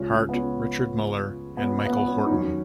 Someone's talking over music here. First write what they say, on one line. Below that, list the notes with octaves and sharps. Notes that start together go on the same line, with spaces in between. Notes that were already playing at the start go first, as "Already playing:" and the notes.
Hart, Richard Muller, and Michael Horton.
Already playing: C#2 C#3 F3 C#4 F4
C#4
B3
C#4
B3
C#4
B3
B3
C#4
D#4
D#2 D#3 F#3 C#4